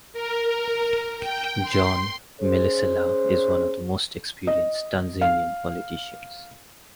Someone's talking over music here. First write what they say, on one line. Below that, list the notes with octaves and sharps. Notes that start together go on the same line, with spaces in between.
John Malecela is one of the most experienced Tanzanian politicians.
A#4
G5
C6
C#4 G#4 C5
D#5
F5